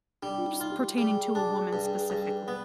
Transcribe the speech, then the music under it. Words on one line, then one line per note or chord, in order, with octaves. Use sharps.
s pertaining to a woman, specifically,
G3 D4
F4
D#4
F4
G4
G3 G#4
D4
G2
G2
B3 B4